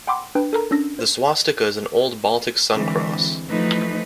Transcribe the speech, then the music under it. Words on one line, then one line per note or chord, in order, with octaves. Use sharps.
The swastica is an old Baltic sun cross.
F#5 G5 B5 C6 D6 E6
D4 B4 G5
A4 A#4 A#5
C#4 D4 E6 A#6
C5
D3 E3 G#3 C4
E3 F3 A3 D#4 B4